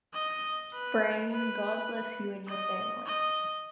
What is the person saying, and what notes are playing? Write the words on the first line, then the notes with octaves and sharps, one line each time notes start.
Brain, God bless you and your family.
D#5
B4
B4
D#5
D#5